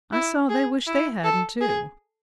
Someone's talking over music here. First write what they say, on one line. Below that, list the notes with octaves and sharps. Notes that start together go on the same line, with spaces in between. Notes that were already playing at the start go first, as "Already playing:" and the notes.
I saw they wished they hadn't too.
E4
G#4
E4
A4
G#4